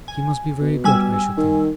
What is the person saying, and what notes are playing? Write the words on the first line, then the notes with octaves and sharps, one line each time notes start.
He must be very good, I should think?'
G#5
B2
G3 G#5 E6
D#3